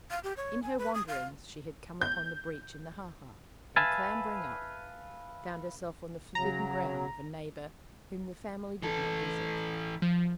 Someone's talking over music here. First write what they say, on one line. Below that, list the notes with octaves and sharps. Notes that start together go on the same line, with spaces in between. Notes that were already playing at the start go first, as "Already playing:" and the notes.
In her wanderings she had come upon the breach in the ha-ha, and, clambering up, found herself on the forbidden ground of a neighbor whom the family did not visit.
F5
G4
C#5
G#5
B4
D#6
F5
G6
B4 E5 F5 G#5 A5
C#3 F#3 A#5
E3 A4
F3